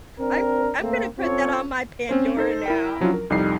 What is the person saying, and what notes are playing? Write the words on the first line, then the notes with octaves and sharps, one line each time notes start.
I'm I'm gonna put that on my Pandora now.
C4 D4 A#4
A3 A#3 C4
C4 C#4 F4 A4 C#5
C4 C#4 C5
D#4 A4 C5
E4 A#4 G5
F3 F#3 C#4 D4 E4 F4
A#4
C2 F2 G3 D#4 A4 C7